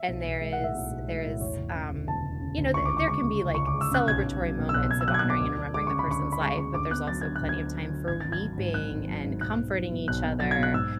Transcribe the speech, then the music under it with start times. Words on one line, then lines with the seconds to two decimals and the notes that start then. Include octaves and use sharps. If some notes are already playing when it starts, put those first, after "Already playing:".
and there is there is, um, you know, th there can be, like, celebratory moments of honoring and remembering the person's life, but there's also plenty of time for weeping and comforting each other.
Already playing: E5
0.08 B1
0.24 B1
0.41 G#3
0.53 F#5
0.58 A2
0.64 E5
0.75 B1
0.91 B1
1.08 G#3
1.25 A2
1.41 E1 C#5
1.58 E1
1.74 C#3
1.91 D2
2.07 E1 A5
2.25 E1
2.41 C#3
2.58 D2
2.74 C#2 C#6
2.85 D6
2.91 C#2
2.97 D6
3.08 G#3 C#6
3.24 C#3
3.41 C#2
3.55 C#2 C#6
3.67 D6
3.74 G#3
3.81 E6
3.92 C#3 F#6
4.08 B1 G#6
4.24 B1
4.41 F#3
4.58 B2
4.69 E6
4.74 B1 F#6
4.91 B1 G#6
5.01 E6
5.08 F#3 F#6
5.14 G#6
5.19 B2 F#6
5.30 D6
5.41 D2
5.58 D4
5.74 G#3 D6
5.87 C#3 C#6
5.99 B5
6.08 D2 C#6
6.25 D4
6.32 B5
6.41 G#3 C#6
6.57 C#3 C#6
6.74 D2 D6
6.91 B3 F#6
7.07 F#3 A6
7.21 D3 G#6
7.36 F#6
7.41 D2
7.49 G#6
7.57 B3
7.74 F#3
7.91 D3
8.08 G#1 G#6
8.20 G#1 A6
8.32 G#6
8.41 F#3
8.58 G#2
8.74 G#1 F#6
8.91 G#1
9.08 F#3
9.24 G#2
9.41 B1 F#6
9.58 B3
9.74 F#3
9.91 B2
10.08 B1 F#6
10.24 B3
10.40 F#3 A6
10.51 G#6
10.58 B2
10.63 F#6
10.74 G#2 E6